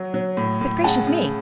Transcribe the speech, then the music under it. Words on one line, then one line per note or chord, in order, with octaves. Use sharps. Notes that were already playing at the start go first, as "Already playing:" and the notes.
But gracious me!
Already playing: F#3
F#3
A2
A2
C#3 F#5 A5
C#3